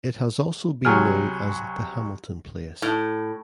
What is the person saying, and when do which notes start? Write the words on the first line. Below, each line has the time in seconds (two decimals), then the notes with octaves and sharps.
It has also been known as The Hamilton Place.
0.85 C2 F#3 G#4 F6
2.82 A2